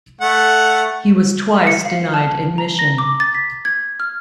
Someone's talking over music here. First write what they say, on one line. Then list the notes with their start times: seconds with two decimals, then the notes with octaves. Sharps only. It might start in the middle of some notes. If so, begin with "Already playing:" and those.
He was twice denied admission.
0.21 A3 F#5
1.67 C#7
1.85 F5
2.14 A5
2.58 A#5
2.79 A#6
2.98 D6
3.20 A6
3.35 B6
3.65 G#6
4.00 F6